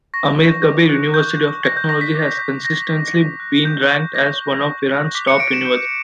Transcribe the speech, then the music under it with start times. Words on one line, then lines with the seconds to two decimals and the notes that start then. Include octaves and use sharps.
Amirkabir University of Technology has consistently been ranked as one of Iran's top universities.
0.14 C#6 A#6
0.39 G6
0.64 D6
0.89 F#6
1.13 C#6 G6
1.39 G6
1.64 G6 A#6
1.77 G6
1.89 C#6 A#6
2.01 B6
2.15 D6
2.39 G6
2.65 G6 A#6
2.89 C#6
3.14 D6
3.40 F#6
3.65 G6
3.90 C#6
4.14 D6 A#6
4.39 F#6
4.65 C#6
4.90 F#6
5.15 D6 B6
5.28 C#7
5.40 F#6 D7
5.53 E7
5.65 G6